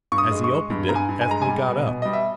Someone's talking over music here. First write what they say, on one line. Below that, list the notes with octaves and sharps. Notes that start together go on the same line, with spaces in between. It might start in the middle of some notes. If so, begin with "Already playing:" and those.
As he opened it, Ethne got up.
G2 C#6
D#6
G#3
C#6
G#3
G2
G2 A#5
G#5
G2
G#5
G#3 A#5
G#5
G3
B2
B2
G3 D#5
E5